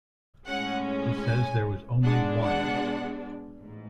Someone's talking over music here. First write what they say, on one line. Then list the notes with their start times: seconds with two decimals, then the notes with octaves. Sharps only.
He says there was only one.
0.47 A2 G#3 C#4 F#5
1.25 G#5
2.02 B2 G#3 D4 F#5
2.42 F#5
3.59 A1 G#2